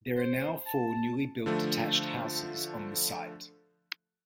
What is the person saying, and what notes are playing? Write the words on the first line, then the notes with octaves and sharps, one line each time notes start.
There are now four newly built detached houses on the site.
C5
A5
D3 F3 A3